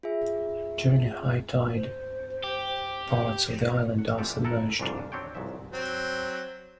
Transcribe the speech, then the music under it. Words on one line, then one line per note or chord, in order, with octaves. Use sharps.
During a high tide, parts of the island are submerged.
F4 G#4 E5
C5
G4
F#5
E3 F4 G4 A4 D5
E4 A4 A#4 F#5
C2 F2 G#2 A3 D4 F5
F#3 C4 D4 C#5 G5
C2 G#2 F3 F#3 E5
F#3 C4